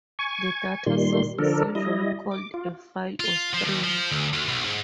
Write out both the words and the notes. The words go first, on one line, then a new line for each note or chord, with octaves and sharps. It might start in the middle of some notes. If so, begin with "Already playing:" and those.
The data source is usually called a file or stream.
G#5 C#6
A#2 D#3 G3 C6
D3 F3 D4 A4 A#4
G3 E4 D#5
D6
F4
F4
F3
D#2
F3
D2
D2
B1
G#2